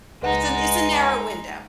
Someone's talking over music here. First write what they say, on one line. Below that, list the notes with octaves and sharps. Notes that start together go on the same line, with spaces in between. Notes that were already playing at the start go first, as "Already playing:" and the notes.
It's a it's a narrow window.
C#2 G#3 D#4 B4 F#5